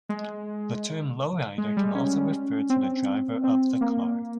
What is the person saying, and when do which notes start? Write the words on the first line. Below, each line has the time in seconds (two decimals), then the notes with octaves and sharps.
The term "lowrider" can also refer to the driver of the car.
0.09 G#3
1.58 G#3
1.77 G3
1.95 C#4
2.70 C4
3.44 C4
3.81 A#3